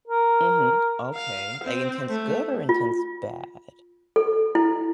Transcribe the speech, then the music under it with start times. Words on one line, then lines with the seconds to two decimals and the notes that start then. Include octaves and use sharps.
Mhm. Okay, like, intense good or intense bad?
0.08 A#4
1.15 F5
1.64 C4
2.10 A3
2.69 F4
4.16 A4
4.55 E4